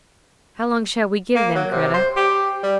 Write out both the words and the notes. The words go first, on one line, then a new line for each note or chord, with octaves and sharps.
"How long shall we give them, Kreta?"
A#3
F#3
C3
C5
G4
G3